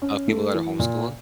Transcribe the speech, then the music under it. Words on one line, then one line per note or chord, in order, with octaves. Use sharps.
Of people that are homeschooling?
C#4
A3
E3
A#2